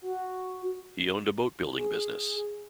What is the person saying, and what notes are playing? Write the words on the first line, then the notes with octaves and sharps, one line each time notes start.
He owned a boat building business.
F#4
G#4